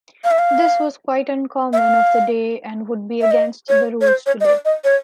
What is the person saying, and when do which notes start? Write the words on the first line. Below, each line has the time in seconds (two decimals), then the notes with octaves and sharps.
This was quite uncommon of the day and would be against the rules today.
0.24 F5
0.31 E5
0.39 F5
1.73 E5
1.78 F5
3.21 E5
3.31 D#5
3.69 C#5
4.01 C#5
4.08 C5
4.26 C#5
4.40 D#5
4.45 D5
4.65 D#5
4.84 C#5